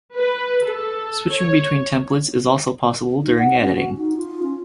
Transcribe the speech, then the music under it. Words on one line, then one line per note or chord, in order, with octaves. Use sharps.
Switching between templates is also possible during editing.
B4
A4
C#5
D#4
F#5
C#4
F#4
D#4
F4
C#4